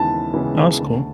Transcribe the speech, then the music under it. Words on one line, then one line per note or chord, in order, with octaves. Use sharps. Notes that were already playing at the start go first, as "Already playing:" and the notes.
Oh, that's cool.
Already playing: D#2 C#3 E3 G#3 B3 A5
C#3 E3 G#3 B3
D2